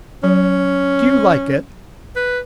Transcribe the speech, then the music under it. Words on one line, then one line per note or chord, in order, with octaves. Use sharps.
"Do you like it?"
F#3 C#4
B4